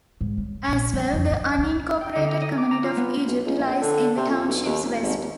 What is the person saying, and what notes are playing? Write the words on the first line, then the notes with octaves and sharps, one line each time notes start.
As well, the unincorporated community of Egypt lies in the township's west.
G#2
C#3
A#1
F3
F2
F#2
D2
G5
D3
A#5
D#5
D6
A#5
F4
B3
B1
C#2
A#1
D3
C3
F2
B1
D#2
F1
G#1
D#2